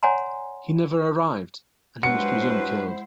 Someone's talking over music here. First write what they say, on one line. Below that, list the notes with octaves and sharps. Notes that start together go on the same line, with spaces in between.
He never arrived, and he was presumed killed.
C#5 D5 F#5 G#5 A#5 C6
G2 F#3 G#3 E4 B4 C5 F#5 C#7